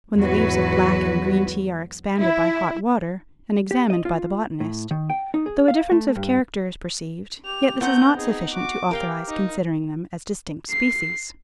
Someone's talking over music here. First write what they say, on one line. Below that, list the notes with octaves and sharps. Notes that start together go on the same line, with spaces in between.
When the leaves of black and green tea are expanded by hot water, and examined by the botanist, though a difference of character is perceived, yet this is not sufficient to authorize considering them as distinct species.
E2 G#2 F#3 F#4 B4
E4
G4
D#5
F4
A2
D#3
G5
D#4
G#4
F5
A3
G2
G4 F7
A3 B3 C4 F#5 A#5 G6
D#4 G#4
F#4 D6
G4 A#4 F5 G5
D#4
C7